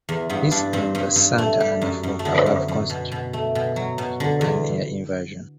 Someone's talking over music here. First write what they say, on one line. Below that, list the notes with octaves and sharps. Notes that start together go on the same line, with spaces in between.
This and the "Santa Ana fog" above constitute examples of an air inversion.
E2
G2 B3
G2 D4
G2 C4
G2
G2
A3
G3
F#2
F#2
A3
D3 B3
F#2
F#2
B2
B2
A3
B2
F#3
B2
D3
E2